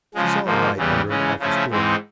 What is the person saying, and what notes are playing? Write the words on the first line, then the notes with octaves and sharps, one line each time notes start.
She saw a light under an office door.
C#3 F3 G#3
G#2 F3 A#3
E2 C#3 E3 G3 B3
C#3 E3 G#3 C#4
C#3 F3 A3 C#4 E4
G#2 E3 G#3 C4 D#4